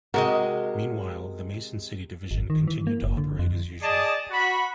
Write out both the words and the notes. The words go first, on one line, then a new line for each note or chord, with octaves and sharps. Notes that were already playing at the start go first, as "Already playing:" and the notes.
Meanwhile, the Mason City Division continued to operate as usual.
C3 G#3 F#4 A#4 D#5
G#1
D#3
E3
A#3
F#1
D3
F2
G#4 D5 D#5 A5
F#4 B5